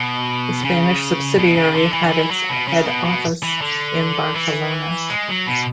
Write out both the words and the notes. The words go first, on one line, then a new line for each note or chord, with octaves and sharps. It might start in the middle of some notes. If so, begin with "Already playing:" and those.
The Spanish subsidiary had its head office in Barcelona.
Already playing: B2
C#3
B2
C#3
D3
E3
D3
E3
F#3
B2
C#3
B2
B2
E3
D3
E3
G#3
F#3
B2